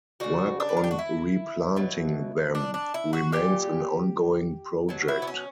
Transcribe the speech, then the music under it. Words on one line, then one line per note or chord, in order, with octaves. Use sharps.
Work on replanting them remains an ongoing project.
C#3 E3 G3 F#4
D4
B4
A#4
G4
F#4
E4
B2 F#3
D4
D4
E4
F#4
A#2 G3 G4
B2 F#3
E4
B3
C#4